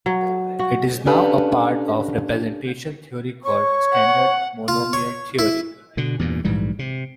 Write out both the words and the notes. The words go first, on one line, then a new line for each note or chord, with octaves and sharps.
It is now a part of representation theory called "standard monomial theory".
F#3
F#4
C#4 D4 G4 A4 B4 F5
C#5 C#6
F#5
F4
C#5
E4
B2 D3
E2 G2 A#2
A#1 G#2 E3 G3
C3